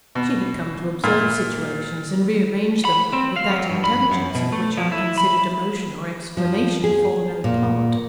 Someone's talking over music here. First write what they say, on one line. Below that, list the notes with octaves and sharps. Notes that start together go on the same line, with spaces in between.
She had come to observe situations and rearrange them with that intelligence of which unconsidered emotion or exclamation form no part.
B2
A#2
B5
C4
F5
F#3
G2
B5
F#2
B2
A3
F3
E4
B5
F3
G#4
A#2